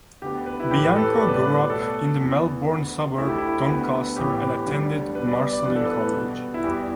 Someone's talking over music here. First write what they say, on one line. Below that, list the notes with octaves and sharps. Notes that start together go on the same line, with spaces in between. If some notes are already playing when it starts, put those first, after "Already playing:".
Bianco grew up in the Melbourne suburb Doncaster and attended Marcellin College.
D2 D3 B3 G4
B4
E4
A2 E3 A3 G4
B4
A4
A2 G3 B3 D5
B4
D5
B4
B2 A3 A4
E2 E3 B3
D2 D3 B3
D2 D3 A3 E4
G4
E4
D2 D3 B3
A2 E3 B3 G4
D2 D3 G3
B2 G3 B3 B4
D5
D5
G2 E3 B3 B4
A4
B4
B2 G3 B3
E4
E2 E3 G3 G4